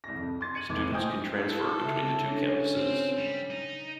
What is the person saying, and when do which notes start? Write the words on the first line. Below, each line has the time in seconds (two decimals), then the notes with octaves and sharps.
Students can transfer between the two campuses.
0.04 C2 A#6
0.16 F2
0.41 C6 A6
0.54 G#6 C#7 D#7 F#7
0.69 F1 B1 D6 G#6
0.92 C5 D#5 G5 G#5 D#6 G6
1.31 E4 A4
1.82 C#3 E5 D6
2.28 C#4 D4 A4 A#6
2.77 C4
3.17 G3
3.50 D#4